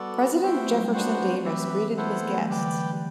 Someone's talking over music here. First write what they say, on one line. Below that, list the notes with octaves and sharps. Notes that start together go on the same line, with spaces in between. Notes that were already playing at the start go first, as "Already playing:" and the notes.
President Jefferson Davis greeted his guests.
Already playing: G3 B3 F#4 A4 D5
B3 F#4 C5 E5 G5
A3
F#3
G3
B3 D4 F#4 C5 F#5
C4
F#3
E3 G4 B4 E5
B3 E4 A4 C5 F#5
A3
G3
F#3
E3
D3 G4 B4 D5 G5
E3
E3